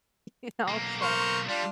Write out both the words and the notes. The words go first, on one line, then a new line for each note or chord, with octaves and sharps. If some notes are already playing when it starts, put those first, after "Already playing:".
You know? So,
B1 A#3
A#4 C5 C#6
G3 D4 F4